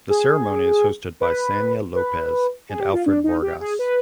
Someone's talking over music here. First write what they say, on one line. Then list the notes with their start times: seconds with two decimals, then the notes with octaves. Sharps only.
The ceremony is hosted by Sanya Lopez and Alfred Vargas.
0.10 G#4
1.21 B4
1.95 B4
2.69 G#4
2.81 G4
2.93 F4
3.06 D4
3.24 D#4
3.42 G4
3.60 G#4
3.79 B4